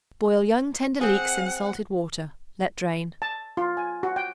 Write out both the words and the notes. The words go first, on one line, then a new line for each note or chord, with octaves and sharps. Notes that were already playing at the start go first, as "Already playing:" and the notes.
Boil young tender leeks in salted water; let drain.
C4 G#4 F#5
A5
F4
G#5
F#4
G5